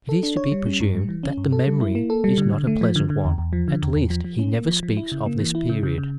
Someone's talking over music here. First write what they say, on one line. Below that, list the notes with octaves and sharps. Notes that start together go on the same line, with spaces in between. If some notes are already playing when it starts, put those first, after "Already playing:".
It is to be presumed that the memory is not a pleasant one: at least he never speaks of this period.
A4
D4
C#5
G3
C#4
G2
G3
E3
C#4
G2
A4
G3
E4
A#3
A4
G3
D3
D3
A3
F3
D3
D3
E2
E2
F3
D3
E2
E2
F3
F3
C#4
A#3
F3
F3
E4
C#3
A#3
E3
E4
C#3
C#3
C#3